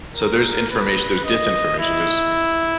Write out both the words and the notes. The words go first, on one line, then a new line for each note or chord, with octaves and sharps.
so there's information, there's disinformation, there's
A#4
B4
D#5
E4